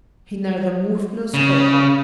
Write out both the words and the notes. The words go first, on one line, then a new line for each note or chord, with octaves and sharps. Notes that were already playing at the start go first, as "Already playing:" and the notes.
He neither moved nor spoke.
C#3